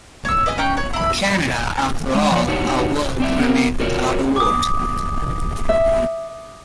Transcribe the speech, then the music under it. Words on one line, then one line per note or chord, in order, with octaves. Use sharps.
Canada, after all our work remained without a vote.
C#5 E6
B4 D#5 F5 G#5
C#4 D#4 G5 F#6
C#5 F#5
E4 B5
G#3
F3 C#5
D4 D#4 F#4 G4 C#5
C4 D5 E5
B3 A#4
F4 F#4 A#4 C#5 D5
D6 D#6
E5